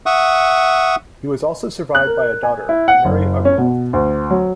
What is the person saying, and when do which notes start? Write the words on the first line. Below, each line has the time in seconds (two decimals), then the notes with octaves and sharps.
He was also survived by a daughter, Mary Uglow.
0.06 E5 F#5 C#6 D#6
1.95 F#6
2.07 A#4
2.43 G#5
2.69 E4
2.88 F#5
3.05 F#1
3.45 C#4
3.58 B2
3.93 D2
4.31 F#3